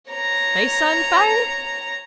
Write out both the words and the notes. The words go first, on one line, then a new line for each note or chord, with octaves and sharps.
Place on fire?
C#5 A#5